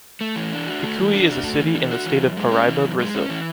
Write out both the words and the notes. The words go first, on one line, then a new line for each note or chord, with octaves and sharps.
Picui is a city in the state of Paraíba, Brazil.
A3
E3
D4
F#4
A3
E3
D4
F#4
A3
E3
D4
F#4
E3
F#2
G#3
C#4
E3
F#2
G#3
C#4
E3